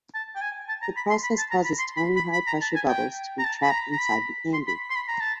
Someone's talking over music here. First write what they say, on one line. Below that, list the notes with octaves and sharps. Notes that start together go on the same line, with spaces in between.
The process causes tiny high pressure bubbles to be trapped inside the candy.
A5
G5
G#5
A5
A#5
B5
C6
B5
A5
A#5
B5
C6
B5
B5
B5
A#5
A5
G#5
G5
A#5
A5
B5
A#5
A#5
B5
C6
B5
C6
B5
A#5
A5